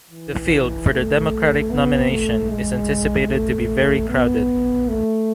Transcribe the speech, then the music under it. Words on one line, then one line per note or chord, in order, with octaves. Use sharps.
The field for the Democratic nomination is anticipated to be very crowded.
E3
A3
B3
A3
G#3
A3
B3
A3